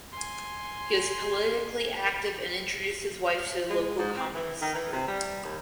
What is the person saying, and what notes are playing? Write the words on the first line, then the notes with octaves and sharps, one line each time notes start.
He was politically active and introduced his wife to the local Communists group.
G#5 C6
G#3
G#2
C4
E3
D#3
E3
C3
G3
D#2